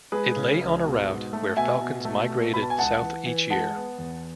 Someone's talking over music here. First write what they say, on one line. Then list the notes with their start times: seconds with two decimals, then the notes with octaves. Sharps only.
It lay on a route where falcons migrated south each year.
0.12 G#3 G#4 B4
0.36 C#3
0.61 C#2
0.84 B2
1.08 G#2
1.33 A3
1.57 B2 E5 G#5
1.81 B2
2.05 A3
2.29 B2
2.53 B2 B5
2.62 A5
2.70 G#5
2.78 C#2 F#5 A5
3.02 E3
3.26 E3
3.50 G#3 F#5 A5
3.75 B3
3.98 E2